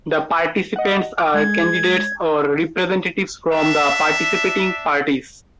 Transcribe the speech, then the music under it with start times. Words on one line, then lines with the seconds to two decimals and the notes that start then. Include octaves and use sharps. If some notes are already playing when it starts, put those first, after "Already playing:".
The participants are candidates or representatives from the participating parties.
0.76 D#5 F#5
1.18 D6
1.34 G#3 G#6
3.52 D4 E5